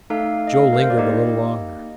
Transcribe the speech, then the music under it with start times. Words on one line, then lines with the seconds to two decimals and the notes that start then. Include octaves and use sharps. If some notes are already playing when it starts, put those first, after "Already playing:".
Joe lingered a little longer.
0.10 A3 D#4 A4 F5
0.47 D#5
0.54 F5
0.73 A#4
0.81 C5
0.90 D5
0.98 A#3 D#4 G4 D#5